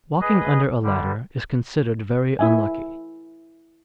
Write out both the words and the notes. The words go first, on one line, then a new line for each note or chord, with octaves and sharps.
Walking under a ladder is considered very unlucky.
G#4 B4 D#5
D3 G3
E4 E5 G#5